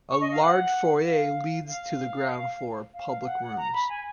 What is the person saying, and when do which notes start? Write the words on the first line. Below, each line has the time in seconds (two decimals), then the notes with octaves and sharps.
A large foyer leads to the ground floor public rooms.
0.10 C#6
0.21 D#5
0.32 F5
0.42 F#5
1.05 F5
1.67 F5
2.94 F5
3.10 F5
3.25 F#5
3.42 F#5
3.57 A#5
3.73 B5
3.89 G#5